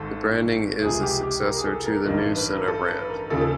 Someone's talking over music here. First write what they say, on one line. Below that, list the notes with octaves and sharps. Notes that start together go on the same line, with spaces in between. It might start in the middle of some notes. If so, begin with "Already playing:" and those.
The branding is a successor to the NewsCenter brand.
Already playing: G#1 G#2 A4
C#2 C3 F3 G#4
G4
G4
A#4
G#4
A4
A#4
A1 G2 D#3 B4
B4
B4
A#4
A4
B4
A#4
D#2 C#3 F3 A4
A4